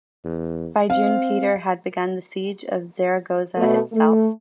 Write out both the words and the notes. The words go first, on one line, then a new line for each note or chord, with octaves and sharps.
By June Peter had begun the siege of Zaragoza itself.
E2
C4 F5
B2 A3
A3